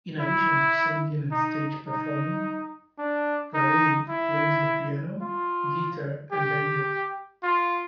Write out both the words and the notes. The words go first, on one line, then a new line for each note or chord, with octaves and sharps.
In addition to singing and stage performing, Guarini plays the piano, guitar, and banjo.
E4
D#4
D#4
D4
D#4
E4
F4
G4
F4